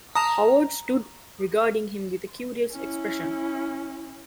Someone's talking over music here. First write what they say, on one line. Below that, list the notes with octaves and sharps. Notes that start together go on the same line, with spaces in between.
Howard stood regarding him with a curious expression.
A5 A#5 D#6
C#4 E4